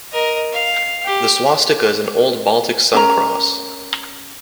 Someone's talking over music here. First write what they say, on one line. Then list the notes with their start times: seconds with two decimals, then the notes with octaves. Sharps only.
The swastica is an old Baltic sun cross.
0.12 A#4 D#5
0.52 F5
1.05 G4
2.94 C#4 A#4 A#5